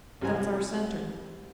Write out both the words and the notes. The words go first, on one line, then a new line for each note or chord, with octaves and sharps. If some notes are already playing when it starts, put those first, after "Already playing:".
That's our center.
C2 C3 F#3 C4 G#5 A#5